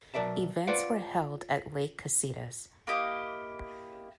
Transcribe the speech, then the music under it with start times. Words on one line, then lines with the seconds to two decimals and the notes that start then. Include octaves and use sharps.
Events were held at Lake Casitas.
0.14 B1 F#3 A#4 D5 E5 A5
0.67 F4 B4 C5 D5 F5 F#5
2.87 A#3 E4 G4 D#5